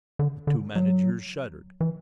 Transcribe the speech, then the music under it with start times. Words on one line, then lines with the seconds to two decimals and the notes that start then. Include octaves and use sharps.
The two managers shuddered.
0.19 D3
0.47 D3
0.76 F#3
1.81 E3